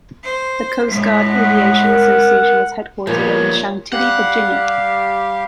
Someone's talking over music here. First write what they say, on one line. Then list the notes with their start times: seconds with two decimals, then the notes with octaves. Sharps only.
The Coast Guard Aviation Association is headquartered in Chantilly, Virginia.
0.24 C5
0.88 A2 G#3
1.28 F#5
1.81 A#4
3.07 A#2 F3 G3 B3 C#5
3.92 G3 G4 F5 F#5